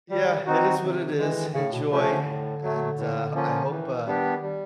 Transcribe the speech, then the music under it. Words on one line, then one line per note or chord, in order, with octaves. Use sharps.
Yeah, it is what it is. Enjoy and, uh, I hope, uh,
D#3 G3
C4 D#4 F#4
C3 D#3
E3 G#3
A2 C#3
B2
C3 F3 A3 C#4
D3
A2
F#3 A3
A2
F3 A#3 C#4 F4
D#3 E3
G3 B3 D4 G4
G3